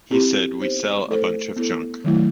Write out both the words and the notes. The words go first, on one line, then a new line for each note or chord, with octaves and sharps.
He said "We sell a bunch of junk".
C4 E4 G4
B3 D#4 G4 C5
A3 E4 A4 C5
B3 E4 A4
D#3 F#3 A3 E4